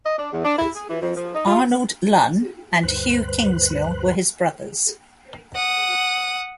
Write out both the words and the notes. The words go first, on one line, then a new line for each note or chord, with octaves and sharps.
Arnold Lunn and Hugh Kingsmill were his brothers.
D#5
D4
E2
D4
E4
G#4
E3
F2
F3
D#4
F4
D2 G2 B4 C5 F#6
F#5 D#6